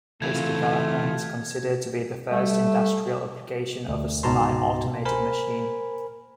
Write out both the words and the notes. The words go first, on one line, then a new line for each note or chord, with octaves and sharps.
This development is considered to be the first industrial application of a semi-automated machine.
C#3 E3 A3 C4 F4 G#6
G3 A3
D2
C#2 G#2 B2 A5 A#5 C6
A#4 C5 G#5 B5